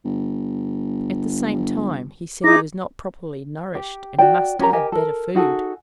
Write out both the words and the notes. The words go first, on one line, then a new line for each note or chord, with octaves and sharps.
At the same time, he said he was not properly nourished, and must have better food.
G1
D#4 E4 G#4 A#5 D6
G4
F#4 D5 G5
C#4 G4 A#4 A#5
G4 A#4 D#5 G#5
A4 A#4
D#4 F#4 G#4 A4